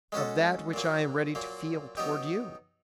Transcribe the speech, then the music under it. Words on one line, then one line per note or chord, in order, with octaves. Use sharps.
"Of that which I am ready to feel toward you."
G#3 C#4 F#4 A4
A#2 F#3 A#3
A#2 F#3 A#3
F#3 B3 D#4 G4